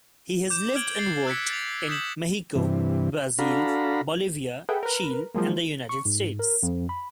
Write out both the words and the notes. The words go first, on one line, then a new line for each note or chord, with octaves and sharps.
He has lived and worked in Mexico, Brazil, Bolivia, Chile and the United States.
D6 G6 E7
F6 G#6 D7 F#7 G7
A6 C7
E6 F#6 G#6 B6 C#7
A6 F7
D#6 G6 B6 E7 F#7
G2 C3 E3
D4 F#4 A4 F5 A#5 B5
G#4 A4 B4 E5 F#5 G5
A#4 B4
F3 F#3 G#3 A#3
C#6
G#2
A#4
F2
B5